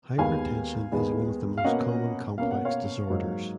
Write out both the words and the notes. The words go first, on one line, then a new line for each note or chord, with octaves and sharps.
Hypertension is one of the most common complex disorders.
D#2 D#3 G#3 B3 F5 G#5
D#2 D#3 G#3 B3
F5
B2 A#3 C#4 D#5 F#5
B2 A#3 C#4 F5
F#5
C#5 F5
G#2 F#3 A#3